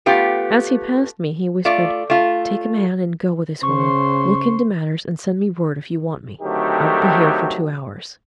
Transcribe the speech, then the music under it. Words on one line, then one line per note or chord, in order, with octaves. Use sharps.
As he passed me, he whispered, "Take a man and go with this woman; look into matters and send me word if you want me; I will be here for two hours."
A3 B3 F4 G4
A3 F4 D5
A3 F4
C#3 C5 C6 C#6
D3 D#3 F#3 A3 C4 G4